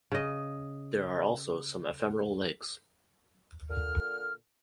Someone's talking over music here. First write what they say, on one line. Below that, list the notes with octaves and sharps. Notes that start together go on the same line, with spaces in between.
There are also some ephemeral lakes.
C#3 D#5
A#2 D3 F6